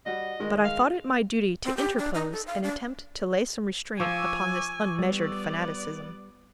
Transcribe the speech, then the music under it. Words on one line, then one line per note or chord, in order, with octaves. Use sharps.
But I thought it my duty to interpose and attempt to lay some restraint upon this unmeasured fanaticism.
G3 F#4 D#5
D#3 G#3
F5
C4
G4
D4
D#4
A4
F5
D4
F3 G#5 C#6 D6 E6
G3 B3 D5